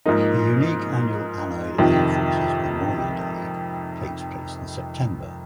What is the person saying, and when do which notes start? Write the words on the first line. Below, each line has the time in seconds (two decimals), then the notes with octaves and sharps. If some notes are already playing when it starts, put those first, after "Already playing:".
The unique annual Allied Air Forces Memorial Day takes place in September.
0.06 G#2 F3 A#3 D#4
1.78 F2 C3 D#3